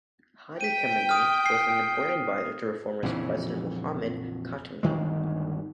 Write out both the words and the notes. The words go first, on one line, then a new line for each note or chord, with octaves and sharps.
Hadi Khamenei was an important adviser to reformist President Mohammad Khatami.
G5 B6 D#7
D#6 F6
C7
A#1 F2 C#3 E3
G1 D2 D#3 G#3